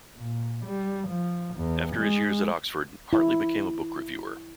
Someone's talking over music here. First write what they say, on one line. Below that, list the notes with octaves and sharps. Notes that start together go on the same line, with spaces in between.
After his years at Oxford, Hartley became a book reviewer.
A#2
G3
F3
E2
G#3
E4